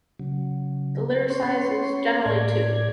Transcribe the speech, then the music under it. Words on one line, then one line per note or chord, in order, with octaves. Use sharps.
The litter size is generally two.
C#3 F#3
C#4 C#5 C6
A2 D5 G#6